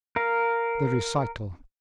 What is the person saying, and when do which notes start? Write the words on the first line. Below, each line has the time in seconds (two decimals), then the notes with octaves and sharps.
The Recital.
0.16 A#4 F5